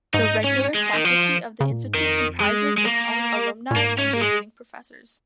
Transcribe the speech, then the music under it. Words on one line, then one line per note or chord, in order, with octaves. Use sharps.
The regular faculty of the institute comprises its own alumni and visiting professors.
G#2 D#4
C#4
G#3
D#3
F3
C#3
A#2
G#2
F2 D#3
G#3
G#3
A#3
A#2
G#2 A#3
C#4
A#3
G#3